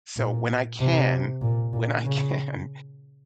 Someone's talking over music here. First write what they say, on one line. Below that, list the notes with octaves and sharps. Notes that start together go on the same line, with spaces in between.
So, when I can when I can,
A#2
C3
A#2
A#2
C#3